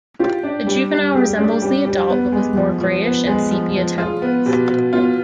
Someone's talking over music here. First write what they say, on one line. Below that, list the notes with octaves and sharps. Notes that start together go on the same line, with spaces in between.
The juvenile resembles the adult but with more greyish and sepia tones.
F4 G4
D4
G3 G4
G3
G4 G#4
D4 G#4
G3 G4
G3 G4
B3
G#3
F3
F3
B3
G#3
F3
F3
F4 G#4
B3
B2 G4
B2
B3 F4